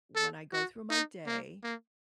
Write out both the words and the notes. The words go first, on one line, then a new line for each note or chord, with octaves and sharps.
when I go through my day,
A4
F#4
D#4
A#3
A#3